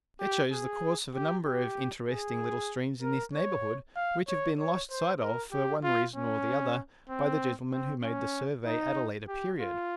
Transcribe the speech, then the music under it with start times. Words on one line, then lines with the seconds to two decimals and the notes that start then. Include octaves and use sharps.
It shows the course of a number of interesting little streams in this neighbourhood which have been lost sight of for one reason or the other by the gentleman who made the survey at a later period.
0.20 G4
0.52 G#4
1.14 G4
1.45 G4
2.09 G#4
3.03 A#4
3.34 C#5
3.96 F5
4.28 C#5
4.59 C#5
4.91 C5
5.21 A#4
5.52 G4
5.84 F4
6.16 C#4
7.10 C4
7.72 C4
8.03 C#4
8.66 D#4
9.28 G4
9.59 F4